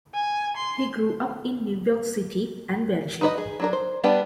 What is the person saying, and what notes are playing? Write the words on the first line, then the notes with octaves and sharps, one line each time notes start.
He grew up in New York City and Belgium.
G#5
C6
D#4 F#4 B4 C#5 D#5
G#4
F#3 D4 A#4
C5
G3 B3 D4 B4 G5